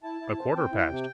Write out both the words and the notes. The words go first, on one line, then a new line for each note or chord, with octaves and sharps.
A quarter past.
E4 A5
E4
C4
C4 G5
E4
G5
C3